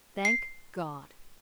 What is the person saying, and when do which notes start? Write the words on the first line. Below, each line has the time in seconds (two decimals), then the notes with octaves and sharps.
Thank God!
0.25 C7